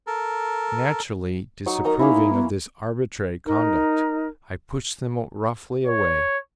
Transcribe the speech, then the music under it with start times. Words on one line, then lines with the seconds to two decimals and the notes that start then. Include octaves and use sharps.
Naturally disapproving of this arbitrary conduct, I push them roughly away.
0.07 A4 A#4
1.66 F#3 D#4 C#6
1.85 D#4 A#4 D#5 A#5
1.99 A#3 C#4 D#4 E4
2.33 B3
3.45 D#4 A#4
5.87 C#5